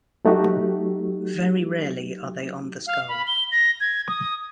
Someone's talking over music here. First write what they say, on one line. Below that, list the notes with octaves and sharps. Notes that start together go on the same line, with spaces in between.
Very rarely are they on the skull.
F#3 A3 D#4 F#4 G4
F5
B5
G7
A#6
G#6
D#6